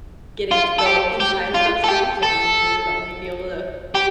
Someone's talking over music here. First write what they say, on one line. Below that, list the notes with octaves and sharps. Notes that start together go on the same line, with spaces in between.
Getting to go inside of those homes that normally you would only be able to
F4
A4
G4
G4
F4
A4
G4
A4
G4